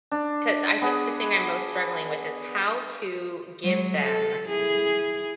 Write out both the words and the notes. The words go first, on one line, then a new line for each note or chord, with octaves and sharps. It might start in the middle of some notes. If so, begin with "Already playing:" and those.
'ca I think the thing I'm most struggling with, is how to give them
D4
B3 G#4 F#5 A5
F#3 G#3
A4
E4 G#4